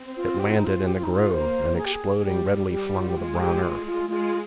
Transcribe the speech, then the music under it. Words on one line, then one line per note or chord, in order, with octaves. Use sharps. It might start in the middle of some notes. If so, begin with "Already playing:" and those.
It landed in the grove, and exploding redly flung the brown earth.
Already playing: C4
F4
G4
F4
D#4
F4
G4
F4
D#4
F4
A#3 C5
G#4
G4
G#4
G#4
G3 G4
G3 G4
F4
G4
G#3 F4
G#4
G4
F4
F4
G#3 F4